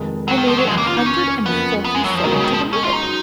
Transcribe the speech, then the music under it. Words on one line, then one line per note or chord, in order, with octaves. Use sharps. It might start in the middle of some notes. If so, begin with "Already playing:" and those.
I made it a hundred and forty-seven to the minute.
Already playing: F1 F2 D#3 G#3
F#3
D#3
F3
F#3
F1 D#2 C#3 G#3
A#3
F4
D#4
C#4
F#1 F2 F3 A#3 B3
B3
G#3
F#3
F3
C#2 B2 D#3 G#3 D#4 A#4
C#3
D#3
F3
C#4
F4
D#4
F#3